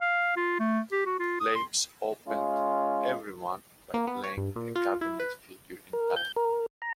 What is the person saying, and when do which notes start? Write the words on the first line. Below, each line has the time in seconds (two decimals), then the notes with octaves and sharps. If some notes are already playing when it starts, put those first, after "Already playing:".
Labes opened "Everyone" by playing a clavinet figure in time.
0.01 F5
0.36 F4
0.60 A3
0.92 G4
1.06 F#4
1.19 F4
1.40 D#6
1.55 C6
2.27 G#3 C#4 F4
3.94 A#3
4.07 B3
4.23 C#5
4.37 G2
4.56 A#2
4.75 F4
5.01 E4
5.20 B4
5.93 A#4
6.16 G6
6.36 A#4
6.82 A#5